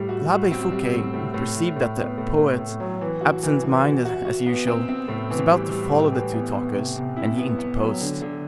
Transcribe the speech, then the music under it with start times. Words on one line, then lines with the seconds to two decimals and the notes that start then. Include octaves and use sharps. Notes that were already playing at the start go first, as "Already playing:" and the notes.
L'Abbe Fouquet perceived that the poet, absent-minded, as usual, was about to follow the two talkers; and he interposed.
Already playing: A2 G3
0.09 F#4
0.30 F#4
0.51 C4
0.71 G3
0.93 A2
1.14 A2
1.34 A2
1.55 A2
1.76 A2
1.97 B3
2.18 A2
2.38 A2
2.59 A2
2.80 F#3
3.01 E3
3.21 F#4
3.43 E3
3.64 E3
3.83 F#4
4.05 F#4
4.25 F#4
4.46 B3
4.67 C4
4.89 C4
5.08 A2
5.30 E3
5.50 G3
5.72 G3
5.92 A2
6.12 E3
6.34 B3
6.55 B3
6.75 C3
6.96 C3
7.16 E4
7.38 B3
7.59 B3
7.79 F#3
8.01 D3
8.22 D3